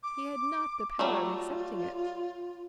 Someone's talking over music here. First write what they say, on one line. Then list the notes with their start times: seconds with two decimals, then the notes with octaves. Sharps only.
He had not the power of accepting it.
0.03 D6
0.99 F#3 G3 A3 F4